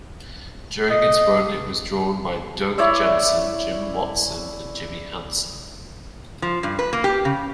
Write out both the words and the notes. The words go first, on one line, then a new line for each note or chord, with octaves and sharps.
During its run it was drawn by Doug Jensen, Jim Watson and Jimmy Hansen.
D#5
E4 C#5 D5 E5
F3
G2
B4
A#3
G4
C#3